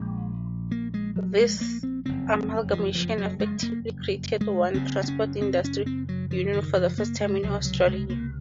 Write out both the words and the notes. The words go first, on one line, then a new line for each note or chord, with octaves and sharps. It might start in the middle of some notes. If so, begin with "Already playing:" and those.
This amalgamation effectively created one transport industry union for the first time in Australia.
Already playing: A#1 A#2 G#3
A#3
G#3
F#3
G#3
A#3
C4
F#1 F2 C#3 C4
F3
F3
F#3
G#3
A#3
G#3
F#1 F#2 C#3 C4
C4
C#4
C4
C#4
C4
F#3
F3
D#3
F3
A#3
G#3
C#2 C3 F#3
F#3
G#3
A#3